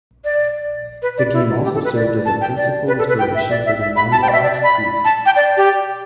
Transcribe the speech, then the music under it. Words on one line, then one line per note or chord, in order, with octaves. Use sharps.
The game also served as a principal inspiration for the manhwa "Priest".
D5
B4
D5
E4
G4
A4
B4
D5
A5
G5
D5
B4
A4
B4
G5
E5
D5
E5
E5
B5
A5
G5
D5
E5
D5
D5
B5
A5
G5
D5
G4